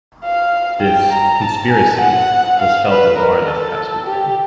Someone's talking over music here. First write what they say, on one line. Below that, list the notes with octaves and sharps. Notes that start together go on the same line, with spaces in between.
This “conspiracy” was felt at a bar this past weekend.
F5
G5
A#5
A5
G#5
F#5
F5
B4
A#4
A4
G4